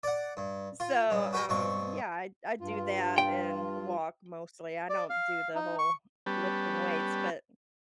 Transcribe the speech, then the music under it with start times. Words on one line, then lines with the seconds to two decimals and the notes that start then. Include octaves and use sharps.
So, um, yeah, I I do that and walk mostly, I don't do the whole lifting weights but
0.03 D5 F#5
0.37 G2
0.80 F4
1.10 G2 C#3
1.33 F#4 B4 G5 G#5 A#5
1.49 G2 B2 C4 C#6
2.61 G2 F4
3.18 G5
4.90 D5
5.10 F5
5.55 D#4
5.79 C#6
6.26 G3 B3 C#4 G4 B4 A5